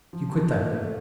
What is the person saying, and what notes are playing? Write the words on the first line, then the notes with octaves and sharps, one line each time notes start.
"You quit that!"
F3
F3
A#3
A3